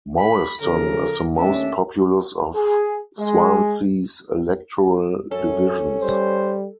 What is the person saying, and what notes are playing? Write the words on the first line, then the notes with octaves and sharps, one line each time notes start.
Morriston is the most populous of Swansea's electoral divisions.
B5
C#3 F3 A4 A#4
D#2 A3 C#4 D4 E5
G#4
G#3
F#2 C#4 A4
G3 C5